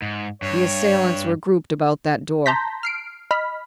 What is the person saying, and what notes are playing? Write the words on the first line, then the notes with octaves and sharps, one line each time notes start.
The assailants were grouped about that door.
G#2
G2 C#5
A5 A#5 C6 G6 A#6 B6
F6 C7 D7
D#5 B5 F6 B6